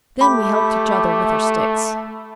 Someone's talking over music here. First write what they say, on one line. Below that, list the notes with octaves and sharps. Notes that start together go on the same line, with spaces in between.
Then we helped each other with our sticks.
A3 G4 B5